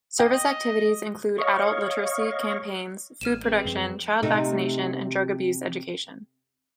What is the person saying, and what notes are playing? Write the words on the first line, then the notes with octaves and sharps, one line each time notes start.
Service activities include adult literacy campaigns, food production, child vaccination and drug abuse education.
D#5 G5
C#5 D#5 F5 C#6
A1 F6 D#7 E7
G#3 C4 B4
F#2 F3
C3 A3 D#4